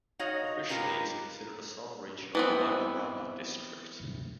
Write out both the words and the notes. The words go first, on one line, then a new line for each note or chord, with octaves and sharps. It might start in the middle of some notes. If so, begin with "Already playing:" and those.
Officially it is considered a sub-region of the Wairarapa district.
D#4 F#4 C#5 D#5 F5
D#4 F4 G4 A#4 B4
E3 B3 C4